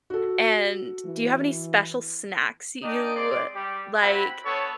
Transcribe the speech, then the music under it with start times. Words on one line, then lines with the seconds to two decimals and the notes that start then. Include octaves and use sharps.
and do you have any special snacks you, uh, like
0.10 F#4 A4
1.05 E3
2.83 D4 D#4 D#5 G5 D#6
3.15 G#3 C4 D5 C6 D6
3.55 G3 G4
4.01 C4 E4 F#4 B5
4.45 B3 D4 A4 C#5